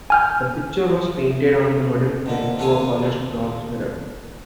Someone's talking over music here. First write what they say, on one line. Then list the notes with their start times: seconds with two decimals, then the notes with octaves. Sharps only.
The picture was painted on the wooden frame to a polished bronze mirror.
0.10 G#5 F6 G6
2.26 G#2 D3 A#3
2.58 D#2 D4 F4 A4 F5 G#5